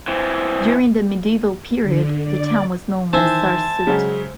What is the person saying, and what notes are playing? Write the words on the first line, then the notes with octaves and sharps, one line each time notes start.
During the medieval period, the town was known as Sarsuti.
E3 C4
D3
D5
D#3 E3 C5 E5 G#5 A5
C#3 F#3 G#3 C#4